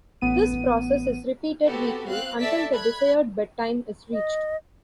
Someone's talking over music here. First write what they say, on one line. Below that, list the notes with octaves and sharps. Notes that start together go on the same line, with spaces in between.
This process is repeated weekly until the desired bedtime is reached.
A1 B3 D#7
B3 C4 F#4 G4 A4
C4 F5 F#6
A3 A4 D5 E5 A5 B6
B5 F#6 G#6
D#5